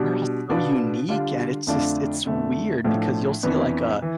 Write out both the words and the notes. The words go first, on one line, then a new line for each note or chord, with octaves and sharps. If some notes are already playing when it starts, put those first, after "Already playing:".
they're all so unique, and it's just it's weird because you'll see, like, a
Already playing: B2 G3 D4
B2 B3 D4 F4
D3 G3 D4 F4
F2 D3 A3 D4 F4
F2 D3 A3
A2 F3 A3 D4 F4
F2 E3 B3 D4
E3